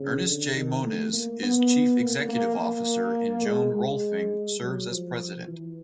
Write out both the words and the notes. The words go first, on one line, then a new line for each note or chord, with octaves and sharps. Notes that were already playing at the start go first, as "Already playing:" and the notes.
Ernest J. Moniz is chief executive officer, and Joan Rohlfing serves as president.
Already playing: C#3
D3
D#3
A3
A#3
B3
A#3
A#3
A#3
G#3
G#3
F#3
F3
E3